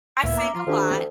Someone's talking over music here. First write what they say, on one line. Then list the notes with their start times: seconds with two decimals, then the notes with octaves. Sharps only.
I sing a lot,
0.23 C#2 A2 A#3 B3 E4 E5
0.37 A#5 D6
0.55 F3 F4
0.67 D2 D#3 D4 G4
0.91 E3 C4